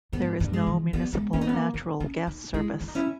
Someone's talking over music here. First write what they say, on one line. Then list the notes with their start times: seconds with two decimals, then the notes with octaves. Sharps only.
There is no municipal natural gas service.
0.13 G#2 B3
0.40 G2
0.53 G#3
0.67 E3
0.93 G3 B3
1.13 G#3
1.33 A#3 C#4
1.41 D#4
1.47 B3 C#4
1.53 A#3
1.74 B3
2.00 C#4
2.27 D#4
2.54 G#3 E4
2.81 E4
2.88 D#4
2.95 C#4 E4